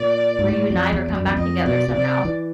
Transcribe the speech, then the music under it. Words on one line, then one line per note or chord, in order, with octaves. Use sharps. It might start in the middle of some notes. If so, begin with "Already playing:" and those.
reunite or come back together somehow.
Already playing: A#2 D5
G#2
A2
F2
E2
F2
F#2
E2
F2 D#5
B2 D5
B2
C3 D5
E3